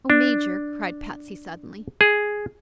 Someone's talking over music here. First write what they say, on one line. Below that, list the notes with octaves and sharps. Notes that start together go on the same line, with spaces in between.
"Oh, Major!" cried Patsy, suddenly.
D4
G#4